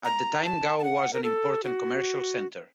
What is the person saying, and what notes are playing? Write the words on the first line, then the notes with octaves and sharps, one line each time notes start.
At the time Gao was an important commercial center.
A#5
A5
A5
F#5
A#4
A4
F#4